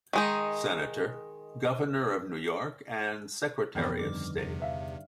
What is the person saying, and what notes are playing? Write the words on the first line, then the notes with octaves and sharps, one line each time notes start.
Senator, governor of New York, and Secretary of State.
D#3 G#3 D#4
F2 G#2 D#3 E3 B3 G5 B5 F6
G2 D3 D#3 D6
E2 C3
B4 E5 F5